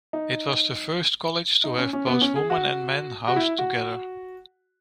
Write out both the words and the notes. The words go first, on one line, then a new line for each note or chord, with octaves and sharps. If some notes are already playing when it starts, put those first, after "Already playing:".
It was the first college to have both women and men housed together.
D#4
D#4
C#4
C#4
B3
C#4
G#4
F#4
F#4
E4
F#4